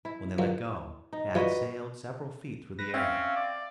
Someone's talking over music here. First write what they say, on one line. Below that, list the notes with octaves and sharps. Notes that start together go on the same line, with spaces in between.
When they let go, Tad sailed several feet through the air.
E4
D#3 F3 F#3
D#4
E3 F3 G3 F#4 B4 D#5
B4 A#6
C4 C#4 E5 F5
D5